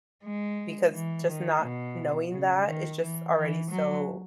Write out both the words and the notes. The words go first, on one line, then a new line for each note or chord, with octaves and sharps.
because just not knowing that is just already so,
G#3
E3
D#3
B2
C#3
D#3
E3
E3
F#3